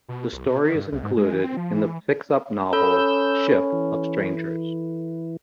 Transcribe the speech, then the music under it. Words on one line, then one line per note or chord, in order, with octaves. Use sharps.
The story is included in the fixup novel "Ship of Strangers".
B2
C2
B2
D#3
G2
C2
G#2
G#3
E3
C4
F3
E3
C#4 A4 B5 E6 G6
E3